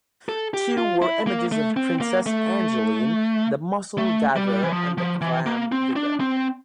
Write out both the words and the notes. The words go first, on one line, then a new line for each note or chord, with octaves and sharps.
Two were images of Princess Angeline, "The Mussel Gatherer" and "The Clam Digger".
A4
G4
F4
E4
A#3
A3
C4
A#3
A3
A3
G3
E3
F3
F3
E3
A#3
C4
D4
C4